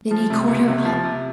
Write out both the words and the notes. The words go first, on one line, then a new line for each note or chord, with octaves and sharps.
Then he caught her up.
F3
C3
C#2
C3
F3
C3